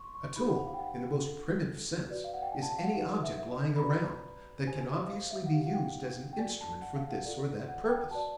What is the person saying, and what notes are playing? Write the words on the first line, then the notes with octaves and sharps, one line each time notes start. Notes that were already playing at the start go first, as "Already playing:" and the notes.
A tool, in the most primitive sense, is any object, lying around, that can obviously be used as an instrument for this or that purpose.
Already playing: C6 C#6
C#6
D#4 G4 C5 B5
F#5
F5
G5
F#5
D4 F4 A4
F#4 B4 D5
F5
F#5
G5
G#5
A5
F5
F#5
D#4 G4 B4 F#5
E5
E5
D#5
B5
F#4 B4 D5 A#5
D4 G4 C5 G#5
G#5
D#5
F5
E5
F#5
D#4 G4 A#4 F5
F#5
G5
G5
F#4 A4 D5 G#5
A5
F#5
F5
F#5
F4 A4 D5
F#5
G5
F#4 B4 D5 A5